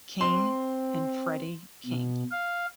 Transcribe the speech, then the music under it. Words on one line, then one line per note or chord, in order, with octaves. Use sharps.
King and Freddie King.
C4 C6
B2
F5